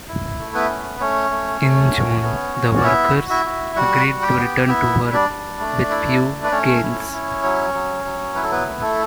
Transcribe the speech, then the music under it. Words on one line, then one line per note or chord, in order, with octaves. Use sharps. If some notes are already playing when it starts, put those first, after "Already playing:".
In June, the workers agreed to return to work with few gains.
E4
A3
B3 B4
C#4
A3 C#4 C#5
A3
A3
F#4
B3
F#4
D5
B3 E4 E5
F#4
E4 E5
F#4
G3 F#4 F#5
G3
G4 G5
B3
B3 E4 E5
G3
D4 D5
G3
A3
E4
A3
B4
A3 C#4 C#5
E4
E4
F#3
F#3
F#3
E4 B4
A4
B3 B4
A3
A3 A4